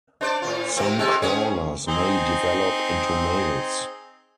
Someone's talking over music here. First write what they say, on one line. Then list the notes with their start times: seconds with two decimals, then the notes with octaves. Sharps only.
Some crawlers may develop into males.
0.21 D4 C5 D5
0.42 A2 C#3 F4
0.77 C3 A#3 C4
0.99 F2 C3 G#3
1.22 C4 C#4 G#4
1.88 C4 D#4 G#4